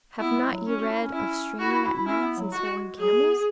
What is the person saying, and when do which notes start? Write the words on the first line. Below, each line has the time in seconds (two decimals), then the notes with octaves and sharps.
Have not you read of straining at gnats and swallowing camels?
0.19 B3 E4
0.35 G#3
0.50 F#3
0.67 C#4
0.77 F#4
0.89 E4
1.01 C#4
1.12 C#4 E4
1.59 E4 F#4
1.70 E4
1.82 E4
1.94 E4
2.05 C#4 E4
2.21 B3
2.37 F#3
2.52 G#3 F#4
2.98 F#3 G#4
3.10 G#3
3.22 B3